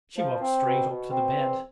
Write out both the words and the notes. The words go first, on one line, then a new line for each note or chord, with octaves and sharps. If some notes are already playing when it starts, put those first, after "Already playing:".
She walked straight up to the bed.
F3
C4
B2
B2
C4
E2